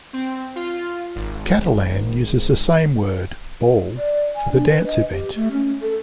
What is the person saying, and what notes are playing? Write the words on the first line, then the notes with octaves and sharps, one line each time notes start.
Catalan uses the same word, "ball", for the dance event.
C4
F4
G#1
D5
G#5
D4
B4
D#5
G4
A3
C#4
A4